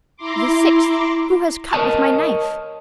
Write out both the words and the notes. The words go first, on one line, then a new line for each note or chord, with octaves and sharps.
The sixth, "Who has cut with my knife?"
E4 A#5 C6 D6
A#4 C#5 D#5 A5